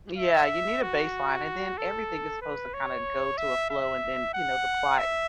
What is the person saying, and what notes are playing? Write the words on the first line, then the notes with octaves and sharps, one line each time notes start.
Yeah, you need a baseline, and then everything is supposed to kinda go to a flow and then, you know, the plot
E5
F#4
A4
B4
C#5
E5
E5
F#5
E5